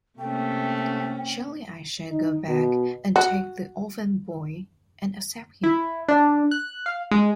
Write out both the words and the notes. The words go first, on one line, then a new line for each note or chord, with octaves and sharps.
Surely I shall go back and take the orphan boy and accept him.
C3 A3 A#3 C#4 G5
D#4
B2
F#4
E4
D4
F#6
F5
G#3